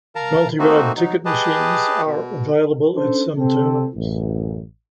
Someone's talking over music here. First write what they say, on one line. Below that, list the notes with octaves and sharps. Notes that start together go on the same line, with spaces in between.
Multi-ride ticket machines are available at some terminals.
A#4 F5 A5 A#5
A3 A#3 C4 D#4 F#4
F#3 D#4
G4 G#4 B4 D#5 A5
B2
C#4 D4 A4 C5
C3 C4 A4
A1 F#2